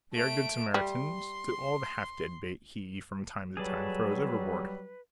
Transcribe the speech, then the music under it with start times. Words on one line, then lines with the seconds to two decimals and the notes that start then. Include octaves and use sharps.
They are good Samaritans to all the half-dead bait he from time to time throws overboard.
0.13 A3 D7
0.74 G3 C6
3.57 F#3 G3 G#4 A4 B4 D5